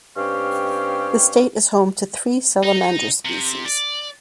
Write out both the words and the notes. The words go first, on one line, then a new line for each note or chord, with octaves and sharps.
The state is home to three salamander species.
G2 C4 C#4 G4 F5
D#4
C3
D5